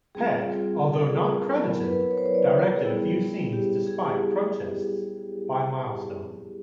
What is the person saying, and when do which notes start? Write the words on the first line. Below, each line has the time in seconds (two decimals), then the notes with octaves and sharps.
Peck, although not credited, directed a few scenes despite protests by Milestone.
0.15 G3 C4 F4 G#4
0.83 A#4
0.94 A4
1.04 G#4
1.15 A4
1.50 F#3 B3 E4 A#4
1.84 B4
1.93 A#4
2.01 B4
2.11 C#5
2.18 C5
2.26 C#5
2.35 D5
2.43 C5
2.59 A#4
2.68 A4
2.76 G#4
2.85 G3 B3 E4
3.53 G4
3.87 G#4